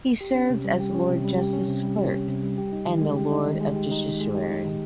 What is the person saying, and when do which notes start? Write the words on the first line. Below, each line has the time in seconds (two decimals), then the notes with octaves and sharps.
He served as Lord Justice Clerk and a Lord of Justiciary.
0.21 G4
0.35 C#4
0.50 C3
0.64 G3
0.80 G4
0.95 C#4
1.09 C3
1.24 G3
1.38 G4
1.53 C#4
1.68 C3
1.83 G3
1.99 G4
2.13 C#4
2.28 C3
2.43 G3
2.58 G4
2.73 D#4
2.87 D#3
3.02 G#3
3.16 G4
3.32 D#4
3.47 D#3
3.61 G#3
3.76 G4
3.91 D#4
4.06 D#3
4.21 G#3
4.35 G4
4.51 D#4
4.65 D#3